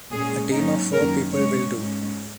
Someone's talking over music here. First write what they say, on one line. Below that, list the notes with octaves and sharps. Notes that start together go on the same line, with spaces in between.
A team of four people will do.
A#2 G#3 C#4 G#4
G#2 F#3 A#3 C#4 D#4
F#2 D#3 A#3 C#4 A#4
C#3 G#3 C#4 C#5
G#2 G#3 C#4